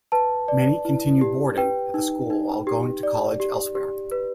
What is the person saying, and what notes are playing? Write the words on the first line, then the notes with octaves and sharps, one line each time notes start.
Many continue boarding at the school while going to college elsewhere.
B4 A5
D5
E4
G4
B4 G5
D#4
D#4
G4
D5
G4
G4
B4